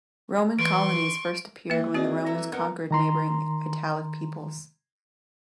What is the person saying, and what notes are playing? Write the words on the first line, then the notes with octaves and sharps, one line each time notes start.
Roman colonies first appeared when the Romans conquered neighbouring Italic peoples.
E3 C6 C#6 D7
E3 A#3 E5
C4 F#4 G#4 D5 D#5
A4 E5 A#5
B3 D#4 A#4
D#3 A#5 C6